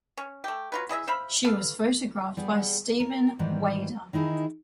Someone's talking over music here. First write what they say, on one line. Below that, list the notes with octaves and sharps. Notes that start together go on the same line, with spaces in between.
She was photographed by Stephen Wayda.
C#4
A3 G4
F#3 F4 B4
E4 G#4 D#5 E5
C5 E5 F5 B5
B3 A4 F5
G3 B3 G#4
A#4
G#2 D#3 E3 G3
D#3 D#4 E4 G#4